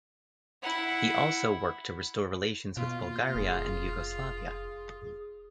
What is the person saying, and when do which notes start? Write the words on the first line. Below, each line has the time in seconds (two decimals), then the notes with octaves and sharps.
He also worked to restore relations with Bulgaria and Yugoslavia.
0.62 E4 F#5
2.77 B2 A#3 F4
3.35 F1 G#4